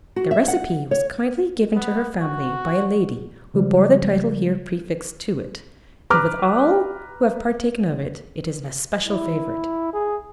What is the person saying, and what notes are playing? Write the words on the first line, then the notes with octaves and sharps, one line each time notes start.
The recipe was kindly given to her family by a lady who bore the title here prefixed to it; and with all who have partaken of it, it is an especial favourite.
F#4
E5
F#5
C#5
B3
F#4
C#3 F3 G3 G#3
B4 A#5 D6 F6
E4
G#4